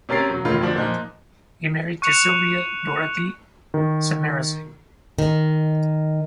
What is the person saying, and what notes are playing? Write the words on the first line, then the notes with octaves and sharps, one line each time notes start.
He married to Sylvia Dorothy Samarasinghe.
C3 C#4 A#4 A6 C7
E1 F#3
E1 A2 D3 D#3 F4 B5
F2 D3 F3 D4
A#2 F3 D#4 F#6
C#6 F#6 C#7 E7 F7
D#3
D#3